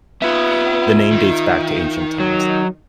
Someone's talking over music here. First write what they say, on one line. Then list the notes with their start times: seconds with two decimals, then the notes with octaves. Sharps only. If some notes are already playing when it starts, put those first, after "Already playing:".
The name dates back to ancient times.
0.22 B3 F4 E5
1.12 D#3
2.20 F#3